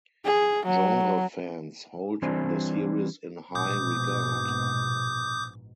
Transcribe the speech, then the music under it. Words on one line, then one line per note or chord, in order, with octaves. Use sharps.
Genre fans hold the series in high regard.
G#4
F#3
E3 G3 C4 D4 C5 G#5
A#1 G#2 B2 D6 D#6 G6